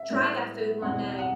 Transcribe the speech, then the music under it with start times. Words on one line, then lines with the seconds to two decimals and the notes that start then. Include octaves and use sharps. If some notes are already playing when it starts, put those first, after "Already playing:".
try that food one day.
Already playing: E5
0.09 A2 G3 B3
0.82 E2 B2 G3 C4 E4 F#5
1.19 F#5